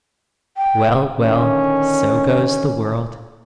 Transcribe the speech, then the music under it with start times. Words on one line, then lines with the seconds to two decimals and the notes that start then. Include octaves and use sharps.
Well, well! so goes the world!'
0.57 G5
1.20 D3 D#3 C#4